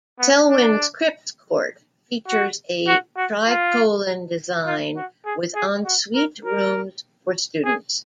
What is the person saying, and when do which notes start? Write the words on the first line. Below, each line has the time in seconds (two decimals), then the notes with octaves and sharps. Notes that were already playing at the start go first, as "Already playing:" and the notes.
Selwyn's Cripps Court features a tricolon design with ensuite rooms for students.
0.19 B3
0.49 D4
2.28 F#4
2.87 F#4
3.17 F#4
3.47 F4
4.66 F4
4.96 F#4
5.25 G#4
5.55 G#4
5.85 F#4
6.15 A#4
6.45 A#4
7.64 G#4